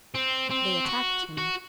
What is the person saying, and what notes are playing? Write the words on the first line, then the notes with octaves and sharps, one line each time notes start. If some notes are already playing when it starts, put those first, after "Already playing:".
They attacked him.
C4
C4
F#4
F#4